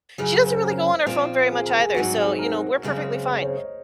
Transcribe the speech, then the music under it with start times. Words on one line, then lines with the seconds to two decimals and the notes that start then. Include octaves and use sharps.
she doesn't really go on her phone very much either, so, you know, we're perfectly fine.
0.18 F#2 C#3 F#3 C#4 G#4
0.33 A#4
0.47 C5
0.62 A#4
1.06 A#2 F3 C4 F4
1.51 G#4
1.66 A#4
1.80 G#4
1.94 G#2 F#3 C4 D#4 F#4
2.17 G#4
2.39 A#4
2.83 F#2 C#3 G#3 C4
3.27 C5
3.42 C#5
3.57 D#5